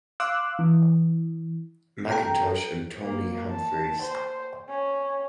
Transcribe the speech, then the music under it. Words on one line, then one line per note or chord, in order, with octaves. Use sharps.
Mackintosh and Tony Humphries.
F5 C6 D6 E6 F#6
E3
A4 G5 A#5
A#3
A5
C5
C#4